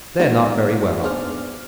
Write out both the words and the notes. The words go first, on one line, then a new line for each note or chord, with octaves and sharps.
They're not very well off.
G#3 A#3 B3 D4 D#4 F#4
B3 D4 G#4 C5 D5 F6